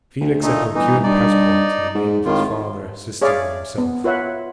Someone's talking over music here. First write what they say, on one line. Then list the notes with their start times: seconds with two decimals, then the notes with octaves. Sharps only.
Felix had procured passports in the name of his father, sister, and himself.
0.21 D2
0.42 A#2 A3 D#4
0.75 G1 E3 D#4
1.03 G2 D#4 D5
1.95 G#2
2.26 G#1 A2 D#3 F4
3.22 G#4 C#5 D5 E5 F5
3.78 B3
4.04 F4 B4 C#5 E5 F#5